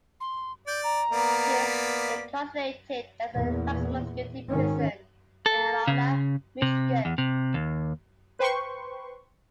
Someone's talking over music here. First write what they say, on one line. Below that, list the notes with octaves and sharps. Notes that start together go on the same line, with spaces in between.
He was incarcerated at a maximum security prison in Ionia, Michigan.
C6
D5 G6
A#5
A#3 B3 D5
B6
E2 A#2
G#1 G#2 D#3 C#4
A4
C#3
C3
E2
C3
D#2
B4 C5 G5 C6 C#6